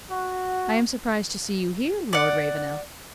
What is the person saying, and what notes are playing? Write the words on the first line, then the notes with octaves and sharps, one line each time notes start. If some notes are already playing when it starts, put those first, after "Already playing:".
"I am surprised to see you here, Lord Ravenel."
F#4
D5 F#5